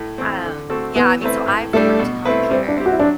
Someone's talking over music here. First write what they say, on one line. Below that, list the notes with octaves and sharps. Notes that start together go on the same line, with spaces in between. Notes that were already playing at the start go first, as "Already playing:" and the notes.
Um, yeah, I mean, so I've worked in health care
Already playing: A2
E3 A3 C4
D3
A3 C4 F#4 A4
E3 B3
A3 C4 E4 B4
A2
G3 A3 D4 A4
B2
A3 C4 E4 B4
G3 C4
D4
C4 E4 G4
F#4
E4
D4
F#3